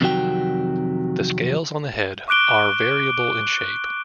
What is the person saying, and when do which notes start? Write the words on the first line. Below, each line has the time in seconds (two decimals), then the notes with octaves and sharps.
The scales on the head are variable in shape.
0.01 F2 C3 D#3 F#3 F#4 G5
2.28 C#6 D6 F#6 D7 G7